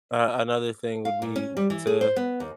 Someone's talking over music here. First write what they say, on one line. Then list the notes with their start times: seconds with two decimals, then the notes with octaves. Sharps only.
uh, another thing would be to,
1.05 F5
1.22 A#2
1.36 C#4
1.57 G3
1.70 E3
1.87 G#4
2.01 C5
2.16 B3
2.40 D#2